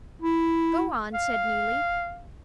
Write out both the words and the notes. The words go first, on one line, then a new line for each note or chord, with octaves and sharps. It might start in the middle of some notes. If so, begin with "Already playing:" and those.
"Go on," said Neelie.
E4
F5